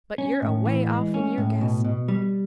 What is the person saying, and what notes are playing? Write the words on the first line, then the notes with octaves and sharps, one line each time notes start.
But you're away off in your guess.
C#4
A2
E3
G#3
C#4
A2
B2
B2
G3